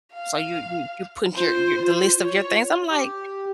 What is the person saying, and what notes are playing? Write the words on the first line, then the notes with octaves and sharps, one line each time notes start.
So you you you print your your, the list of your things. I'm, like,
F5
F4 C5
C5
C#5
G4